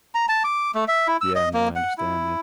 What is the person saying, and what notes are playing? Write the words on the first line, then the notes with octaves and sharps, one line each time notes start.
Yeah, no, I understand, yeah.
A#5
A5
D6
A3
E5
E4
E6
D#5
A#3
F#5
E4